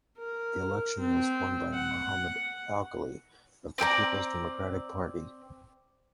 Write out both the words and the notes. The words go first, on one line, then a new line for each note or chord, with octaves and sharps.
The election was won by Mohammed Alkali of the Peoples Democratic Party.
A#4
C4
F#5
C4 D5 G5 A#5